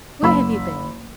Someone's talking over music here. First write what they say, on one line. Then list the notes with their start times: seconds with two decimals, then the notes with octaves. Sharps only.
Where have you been?'
0.23 F#1 B5 E6